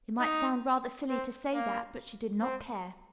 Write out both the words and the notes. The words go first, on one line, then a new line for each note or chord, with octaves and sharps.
It might sound rather silly to say that but she did not care.
D#4
C4
A#3
C4